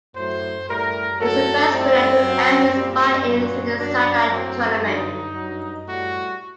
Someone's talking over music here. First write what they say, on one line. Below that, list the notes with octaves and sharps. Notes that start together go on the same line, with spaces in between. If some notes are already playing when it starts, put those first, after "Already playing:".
He was the first winner to earn his buy-in through a satellite tournament.
A2 F#3 C5
A2 G3 A#4
A2 F#3 A4
A2 G3 C4
F#2 F#3
A#2 G3
A#2 F#3
F#2 F#3 D4
A2 F#3 C4
G2 D3 F#3 D#4
G2 F#3
A2 G3 F#4